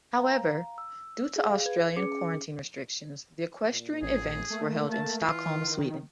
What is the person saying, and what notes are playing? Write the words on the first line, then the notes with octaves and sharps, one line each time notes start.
However, due to Australian quarantine restrictions the equestrian events were held in Stockholm, Sweden.
F5 A#5
E6
G#4 F5
B4 G#6
C#4 G#4 D6 C#7
A#2
A1 G#4
A3 A#3
A5
E3 F4
D#3